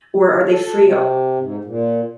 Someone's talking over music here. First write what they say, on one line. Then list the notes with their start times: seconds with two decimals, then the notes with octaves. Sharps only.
or are they free e
0.50 A4
0.80 C3
1.39 G#2
1.64 A#2